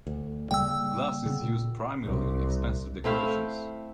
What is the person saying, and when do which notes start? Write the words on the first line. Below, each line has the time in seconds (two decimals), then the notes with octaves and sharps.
The glass is used primarily in expensive decorations.
0.07 D2
0.51 C#3 G3 A#3 G5 E6
1.26 C#3 B3
1.42 A#2
2.04 C2
3.04 A3 C4 E4 F5